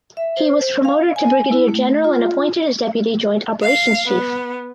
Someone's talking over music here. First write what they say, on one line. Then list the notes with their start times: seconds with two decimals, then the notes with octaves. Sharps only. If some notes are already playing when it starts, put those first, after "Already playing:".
He was Promoted to Brigadier General and appointed as Deputy Joint Operations Chief.
0.17 E5
0.37 C5
0.85 F5
1.16 G#5
1.51 E4
1.68 A3
2.04 F4
3.60 F5
4.08 B3